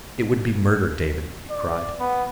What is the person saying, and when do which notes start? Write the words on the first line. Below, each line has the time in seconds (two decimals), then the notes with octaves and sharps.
"It would be murder, David," he cried.
1.50 D5
2.00 B3